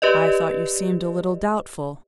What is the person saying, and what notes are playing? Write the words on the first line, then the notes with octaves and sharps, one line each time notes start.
'I thought you seemed a little doubtful.'
G4 B4 D5 D#5